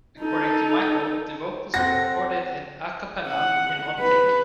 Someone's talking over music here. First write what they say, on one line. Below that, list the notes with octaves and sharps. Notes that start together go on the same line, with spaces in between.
According to Michael, the vocals were recorded in a cappella in one take.
D#4 A4
C4 A4 F#5 A#6
F#5
B4